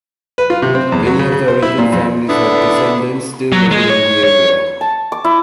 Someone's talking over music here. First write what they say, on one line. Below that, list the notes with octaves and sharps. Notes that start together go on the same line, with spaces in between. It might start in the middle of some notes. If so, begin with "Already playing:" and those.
Many of the original families have descendants still living in the area.
B4
F4
C3
C4
E2
F#3
C#3
C#3
C5
E4
A#2
F2
D3 B3 D4 E4
F#3
G#3
C#5
C#5
A5
D6
E4